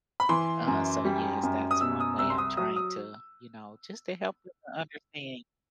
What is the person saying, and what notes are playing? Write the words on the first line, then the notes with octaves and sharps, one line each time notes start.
Uh, so yes, that's one way I'm trying to, you know, just to help them to understand
B5
E3 C6
F#2
G3
F#2
D#6
B2 E6
D#6
C2 E6
C6
D#6
F#3 D#6
D#6